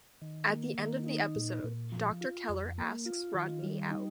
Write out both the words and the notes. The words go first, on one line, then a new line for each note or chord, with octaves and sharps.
At the end of the episode, Doctor Keller asks Rodney out.
D#3
A#3
D#3
D#4
A#2
A#2
F3
F4
F2
A#3
F4
D#3
G3
D#4